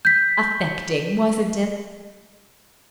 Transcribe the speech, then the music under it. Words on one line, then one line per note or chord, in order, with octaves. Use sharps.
Affecting! wasn't it?
G6 B6